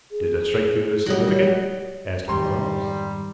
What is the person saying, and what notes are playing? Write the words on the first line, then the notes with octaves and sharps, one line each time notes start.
"Did that strike you as significant?" asked Quarles.
G#4
F#3 G3 C#5 D#5
F2 G#2 D#3 G3 A#5 C6